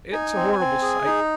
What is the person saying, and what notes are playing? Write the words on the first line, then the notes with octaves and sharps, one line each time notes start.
It's a horrible sight!'
D#4 G#5
C4
C4
G#4
D#4